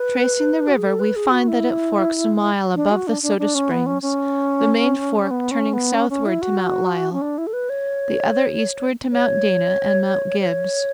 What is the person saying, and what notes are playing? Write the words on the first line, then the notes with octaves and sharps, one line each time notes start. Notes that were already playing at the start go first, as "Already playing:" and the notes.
Tracing the river, we find that it forks a mile above the Soda Springs, the main fork turning southward to Mount Lyell, the other eastward to Mount Dana and Mount Gibbs.
Already playing: B4
F#4
G#4
A4
B4
G#4
F#4
E4
D4
F#4
D4
D4
D4
C#4
B3
C#4
C#4
B3
C#4
B3
C#4
C#4
E4
F#4
C#4
D4
E4
A4
B4
C#5
C#5
C#5